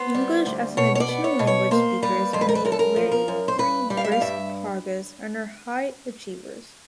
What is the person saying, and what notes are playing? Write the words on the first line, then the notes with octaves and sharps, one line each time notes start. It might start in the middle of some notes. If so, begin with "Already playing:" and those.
English as an additional language speakers make very brisk progress and are high achievers.
Already playing: B3 C5
G3
D2
B2 C#5
C#5
D5
B3
C#5
B2
C#5
A#3 C5
G3 B4
F2 C5
B4
A#4
B4
F#2 A#4
A4
A#4
F3
A#4
F#2
C5
G2 B4
G3
F5
E5
F5
G2 E5